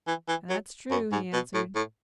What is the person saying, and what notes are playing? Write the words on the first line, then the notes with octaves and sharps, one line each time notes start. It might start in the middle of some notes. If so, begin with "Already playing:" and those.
"That's true," he answered.
E3
E3
F#3
F#2
G#2
B2
A2
A2